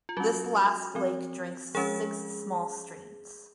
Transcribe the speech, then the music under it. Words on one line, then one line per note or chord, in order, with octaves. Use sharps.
This last lake drinks six small streams.
F4
F#3 C#4 F#4
F3 C4
F3 G#3 C#4 G#4